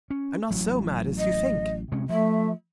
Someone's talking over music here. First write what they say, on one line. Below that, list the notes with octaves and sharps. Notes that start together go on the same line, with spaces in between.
I'm not so mad as you think.
C#4
A1 F#3
D#5
C3 G#3 C#4
F3 A3 E5